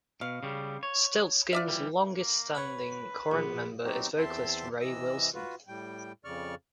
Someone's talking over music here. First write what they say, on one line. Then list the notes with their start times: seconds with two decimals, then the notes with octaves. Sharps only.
Stiltskin's longest-standing current member is vocalist Ray Wilson.
0.21 B2 F5
0.43 C#3 G3
0.83 C#5
1.53 F4 D5 E5
1.68 E3 G3
2.16 A#3
2.55 B4 C#5 F#5 B5
3.31 A#1 B3
3.84 F#3 B3 C4 D#4 F#4 G4
4.17 E2 C4 E5 A5 C6
4.81 C3 E3 D#5 E6
5.34 F4 F#4 B4
5.68 A2 G3 G5
6.25 F2 C#3 D5 C#6 F6